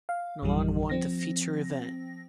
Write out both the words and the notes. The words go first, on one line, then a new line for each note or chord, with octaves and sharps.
Nalon won the feature event.
F5
A#1 F#2 C#3 E3 G3
F3 C4 A#6